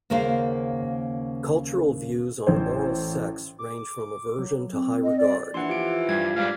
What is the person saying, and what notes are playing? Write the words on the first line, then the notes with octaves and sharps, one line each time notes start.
Cultural views on oral sex range from aversion to high regard.
D#2 C#3 A#3 F#4 C5 F5
A1 C5
D6
F#3
C4
D#5
D5
A#1 E3 F#5 C6
F3 G4 D7
G2 G#6
G#2 G3 D5 F5